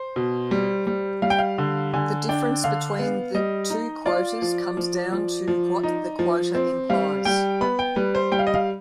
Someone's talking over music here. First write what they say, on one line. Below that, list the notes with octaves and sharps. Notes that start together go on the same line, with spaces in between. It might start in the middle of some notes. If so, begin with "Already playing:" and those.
The difference between the two quotas comes down to what the quota implies.
Already playing: C5
B2
G3
G3
G3 F5
G5
F5
D3
D3 G#5
D4 G5
D3 F5
B3
G3 D#5
D#4
F4 D5
F3
F3
F3
F3
D#4
F3
C4
G3 F5
G3 G5
B3 B5
G5
G3 B4
C5
G3 G5
F5
D#5
F5